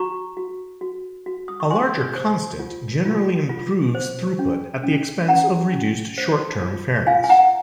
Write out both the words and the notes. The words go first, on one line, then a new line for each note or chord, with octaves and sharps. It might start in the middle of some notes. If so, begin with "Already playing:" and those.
A larger constant generally improves throughput at the expense of reduced short-term fairness.
Already playing: F#4 A#5 C#6
F#4
F#4
F#4
D#6
C#6
C5 G#5 C6
C5
F4
F4
F4
C5
C#4
C#4
C#4 F#5 A#5
C#4
C5
F4
F4 F5 G#5
G#5
F#5 A#5